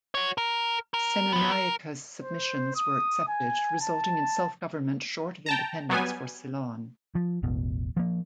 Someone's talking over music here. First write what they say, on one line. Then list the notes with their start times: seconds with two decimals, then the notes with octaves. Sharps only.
Senanayake's submissions were accepted, resulting in self-government short of independence for Ceylon.
0.15 F#4 C#5
0.38 A#4
0.94 A#4
1.33 F3 B3
1.52 A#4
2.21 C5
2.75 D#6
3.28 G#5
3.80 A5
5.46 G5 A5 A#5
5.90 F#3 G3 B3 G#5
7.15 F3
7.43 E1 A1 B2
7.97 F3 A#3